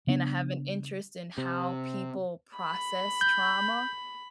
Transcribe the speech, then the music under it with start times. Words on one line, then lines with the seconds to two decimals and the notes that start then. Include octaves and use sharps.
and I have an interest in how people process trauma,
0.07 C#3 B3 D4
1.38 C3
2.57 B5
3.21 G6